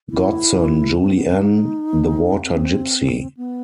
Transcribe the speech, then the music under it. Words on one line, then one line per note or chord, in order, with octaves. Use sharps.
Godson, Julie Ann, The Water Gypsy.
E4
C4
B3
C4
D#4
C4
B3